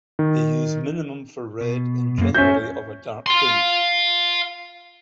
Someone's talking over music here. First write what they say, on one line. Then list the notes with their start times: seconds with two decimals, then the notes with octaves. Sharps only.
They used minium for red, and generally of a dark tinge.
0.19 D#3
1.61 B2
2.18 F#2 A#3
2.35 C#4 F#4 C5 E5 G6
3.26 F5 C6